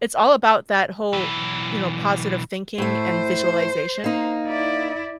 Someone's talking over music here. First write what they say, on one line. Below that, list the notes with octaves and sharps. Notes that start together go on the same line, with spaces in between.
it's all about that whole, you know, positive thinking and visualization,
B1 E3
A2 A3 C5
A#3 D#4
E4 D5